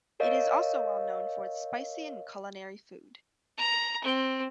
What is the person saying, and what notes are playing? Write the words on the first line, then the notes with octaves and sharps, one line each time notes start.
It is also well known for its spicy and culinary food.
A#4 C#5 D#5 F5
A#5
C4